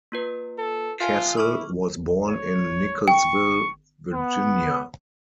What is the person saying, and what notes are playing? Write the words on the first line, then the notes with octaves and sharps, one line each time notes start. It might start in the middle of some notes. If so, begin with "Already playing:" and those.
Cassell was born in Nickelsville, Virginia.
A#3 F4 B4
A4
F4 E5 G#5 A5
E4 C#6 D6 F6
C#5
G5 C#6
B3